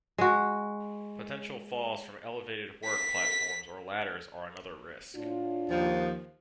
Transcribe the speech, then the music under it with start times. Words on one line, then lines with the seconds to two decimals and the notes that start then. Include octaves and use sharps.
Potential falls from elevated work platforms or ladders are another risk.
0.18 G#3 F#4
2.85 B6
5.15 A2 D4 F4
5.70 D#2 F3